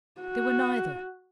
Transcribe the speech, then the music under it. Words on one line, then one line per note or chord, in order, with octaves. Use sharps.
They were neither.
F#4